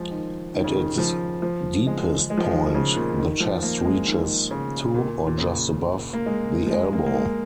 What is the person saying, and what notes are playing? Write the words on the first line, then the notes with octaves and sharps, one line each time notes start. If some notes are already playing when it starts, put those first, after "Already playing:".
At its deepest point the chest reaches to, or just above, the elbow.
Already playing: F3 G#3
D#3
D#3
C#3
D#3
F3
F3
G#3
G#3
F3
G#3
D#3
C#3
A#2
D#3
F3
A#3
G#3
D#3
C#3
A#2
A#2
C#3
A#3
G#3
F3
G#3
A#3
A#3
G#3